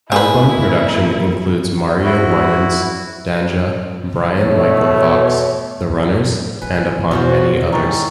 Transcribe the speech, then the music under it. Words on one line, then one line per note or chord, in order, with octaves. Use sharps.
Album production includes Mario Winans, Danja, Bryan-Michael Cox, The Runners, and upon many others.
A#3 C4 E4 G#4 B4
E4 F#4
B2 A3 C#5
G#1 G#3 B4 G#5
B2 F#3 C#4 F4 F#4 C5 D5
G#2 D#3 E3 D#4 A#5 C#6 A6